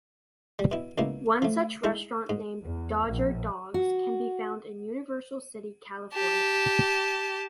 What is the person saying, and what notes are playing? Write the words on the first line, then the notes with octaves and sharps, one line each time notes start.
One such restaurant named Dodger Dogs can be found in Universal City, California.
G3
B2 E4
C#2 B2 A#3 E4
F3 A3
G#3 D#4 E4
G#2
E2
A#1
F#4
G4 A5